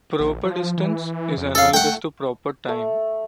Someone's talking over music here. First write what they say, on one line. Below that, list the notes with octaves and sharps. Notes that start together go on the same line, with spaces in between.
"Proper distance" is analogous to proper time.
A#1
F3
E3
F2
A4 F5
A3 F#5 G5
A3